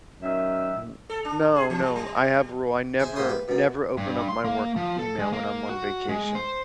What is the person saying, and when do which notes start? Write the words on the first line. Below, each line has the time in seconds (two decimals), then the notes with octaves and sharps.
Mm no no, I have a rule, I never, never open up my work email when I'm on vacation,
0.22 F#2 D#3 E5
1.10 A4
1.25 D4
1.56 G#4
1.70 E3
1.82 G3
1.96 G3
2.99 G#4 C5 E5 G#5
3.16 G#2 A#3 G4 E5 C6 D#6
3.29 B4
3.48 F#2 B2
3.98 G2
4.29 C6
4.45 A#3
4.76 F3
4.99 A4
5.19 G#3
5.33 A#3
5.69 F#4
6.09 G#3
6.35 C5